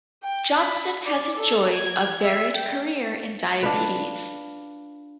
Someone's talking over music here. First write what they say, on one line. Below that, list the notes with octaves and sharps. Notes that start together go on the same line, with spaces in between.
Johnson has enjoyed a varied career in diabetes.
G5
B5
D5
A4
G#6
E5
G5
D4 F4 B4